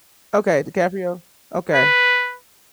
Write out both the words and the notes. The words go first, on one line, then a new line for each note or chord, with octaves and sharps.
Okay, DiCaprio. Okay.
B4